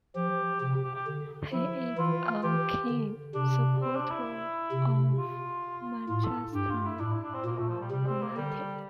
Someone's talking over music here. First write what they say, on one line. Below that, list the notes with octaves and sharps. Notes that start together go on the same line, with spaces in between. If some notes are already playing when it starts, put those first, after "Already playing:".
He is a keen supporter of Manchester United.
F3 G4
C3 G4
G4
G4
D3
F3 E4
E3 F4
E3 G4
D3
C3 D4
C4
D4
E4
C3
F4
A2 F4
A4
G2 G4
F4
E4
A2 D4
E4
D4
C4
A#2 A#3
A3
F3
G3
C3 G3
C4
A#3
D3 G3